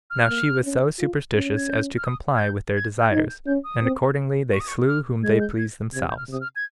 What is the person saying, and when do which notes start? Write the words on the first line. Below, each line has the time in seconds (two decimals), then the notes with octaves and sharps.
Now she was so superstitious as to comply with their desires, and accordingly they slew whom they pleased themselves.
0.10 F6
0.28 A#3
0.64 C#4
0.99 F4
1.35 C#4
1.57 G#6
1.70 G6
1.97 F6
2.05 D#6
2.37 G#6
2.40 G6
2.76 G#6
3.00 G6
3.11 D#4 G#6
3.29 G6
3.46 C#4 G6
3.64 D#6
3.82 C4
4.53 C#6
4.60 D#6
4.68 C#6
4.88 F6
5.23 G#3 G#6
5.40 G6
5.59 G#6
5.94 C3 G#6
6.10 G6
6.17 F6
6.29 C3 D#6
6.41 F6
6.56 G#6